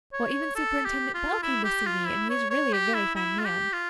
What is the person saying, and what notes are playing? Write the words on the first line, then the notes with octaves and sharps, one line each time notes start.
Why, even Superintendent Bell came to see me, and he's really a very fine man.
C#5
A4
G4
F4
E4
G4
F4
E4
C#5
C#5
G4
E4
E4
F4
G4
F4